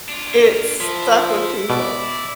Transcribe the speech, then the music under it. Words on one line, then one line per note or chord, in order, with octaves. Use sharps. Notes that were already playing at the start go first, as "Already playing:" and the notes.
It stuck with people.
D4 F4
F3 E4
B2 D5